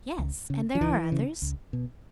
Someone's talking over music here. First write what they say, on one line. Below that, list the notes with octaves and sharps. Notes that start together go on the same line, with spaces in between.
"Yes, and there are others."
C#2
C#3
F3
C#2 E3
C#3
C#2
B2